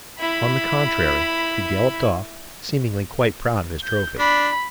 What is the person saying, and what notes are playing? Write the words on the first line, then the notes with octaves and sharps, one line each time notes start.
On the contrary, he galloped off; seemingly, quite proud of his trophy.
E4 B5
G6
D4 B5